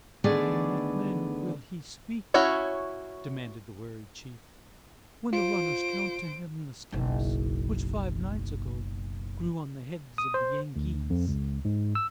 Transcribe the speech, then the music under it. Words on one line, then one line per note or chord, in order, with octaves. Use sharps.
"In what manner will he speak," demanded the wary chief, "when the runners count to him the scalps which five nights ago grew on the heads of the Yengeese?"
D3 D#3 A3 B3 G#4 D5
C#4 E4 F#4 C#5
F4 C5 D7
F#1 B1
D#6
C5
D2
F2
C#2
G#2
E6